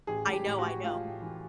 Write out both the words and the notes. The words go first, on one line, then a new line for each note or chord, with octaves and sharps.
I know, I know.
A1 G#4
A2
G4
A2
F#4
A2
A2 F4
A2
E3